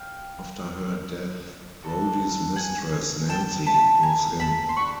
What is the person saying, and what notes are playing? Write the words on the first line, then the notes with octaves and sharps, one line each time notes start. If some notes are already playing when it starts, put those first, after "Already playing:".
After her death, Brodie's mistress, Nancy, moves in.
Already playing: F5 G5
D4 F#4 A4
F#5 G#5
G5 A5
A5 B5
G#5 A#5
A5 B5
C6
D4 F#4 A4 B5 C#6